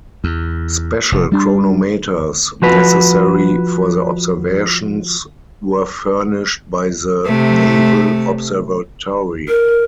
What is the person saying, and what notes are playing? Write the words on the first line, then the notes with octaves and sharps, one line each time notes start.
Special chronometers necessary for the observations were furnished by the Naval Observatory.
E2
F1
G3 D4
F3 F#4 B4
C3 A3
A#4